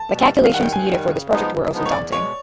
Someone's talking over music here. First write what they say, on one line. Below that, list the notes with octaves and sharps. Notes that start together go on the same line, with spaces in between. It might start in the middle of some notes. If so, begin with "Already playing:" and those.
The calculations needed for this project were also daunting.
Already playing: A5
B2 G3
G2
F5
D#3 G3 F#5
G5
G2 G#5
D#3 G3
C#3
F3 G#3 B3 D#4
C#3
F3 G#3 B3 D#4
C#5
E2 D5
B2 G#3 C#5